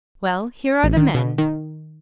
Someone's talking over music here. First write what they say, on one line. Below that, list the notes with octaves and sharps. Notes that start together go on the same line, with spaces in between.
"Well, here are the men."
A1
D#3
B2
D#3